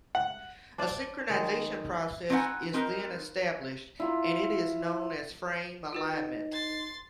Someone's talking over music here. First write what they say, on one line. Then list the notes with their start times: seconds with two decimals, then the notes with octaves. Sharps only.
A synchronization process is then established, and it is known as frame alignment.
0.15 F#5
0.78 D4 C5 D5
1.30 D#3 G#3
2.30 C4 D4 D#4 B4 F#5 G#5
2.74 C4 D#4 A#4 B4
4.00 E4 F4 A#5
5.93 D#4 F4 F#4 B4
6.53 C6 A6